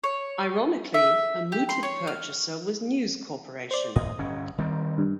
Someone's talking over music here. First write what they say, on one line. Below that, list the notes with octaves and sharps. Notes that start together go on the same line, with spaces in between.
Ironically, a mooted purchaser was News Corporation.
C#5
E5
G4
C6
C#5
F6
C5 D5
A2 D#5
G1 C#4
D#3 G3 C4
G2